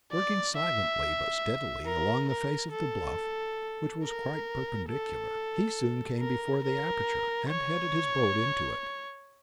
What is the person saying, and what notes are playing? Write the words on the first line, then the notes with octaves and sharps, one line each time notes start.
Working silently but steadily along the face of the bluff, which was quite perpendicular, he soon came before the aperture, and headed his boat into it.
D5
E5
A#4
A#4
A4
A#4
A4
A#4
A#4
C#5